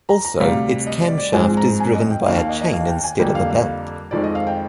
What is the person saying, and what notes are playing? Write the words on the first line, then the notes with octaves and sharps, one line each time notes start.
Also, its camshaft is driven by a chain instead of a belt.
A#5
A#5
D2 C3 G3 F5
D#5
D5
D5
G#2 F3 G#3 C4 G#5
A#5
G#5
D#5
G5
D#2 D#3 A#3 F5
F5
D#5
D#5
F5
G5
G#5
F2 D3 G3 A#3 G5
F5
F5
F2 D#3 G#3 C4 D5
D#5
F5
G5